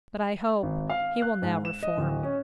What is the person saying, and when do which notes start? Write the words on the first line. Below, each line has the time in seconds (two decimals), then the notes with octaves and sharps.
But I hope he will now reform.'
0.63 G#1
0.89 F5
1.22 F#6
1.42 G#2
1.65 E7
1.83 D#5
1.98 D1
2.23 C#4